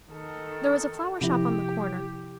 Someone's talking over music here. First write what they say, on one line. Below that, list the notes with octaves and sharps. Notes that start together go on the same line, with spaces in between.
There was a flower shop on the corner.
D#3 A4
C3 F3 E4 G4